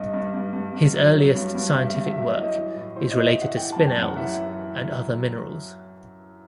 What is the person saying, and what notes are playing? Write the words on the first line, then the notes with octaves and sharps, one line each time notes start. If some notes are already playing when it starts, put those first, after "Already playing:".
His earliest scientific work is related to spinels and other minerals.
Already playing: G2 D#5
G2
G2
G2
G2
F#3
F#3
G2
G2
G2 E5
G2
E5
F#3
E3 D#5
E3
A2
A2 C5
E3 D#5
E5
A2
F#5
E3 G5
F#2 A5
G5
F#2
F#5
E3 E5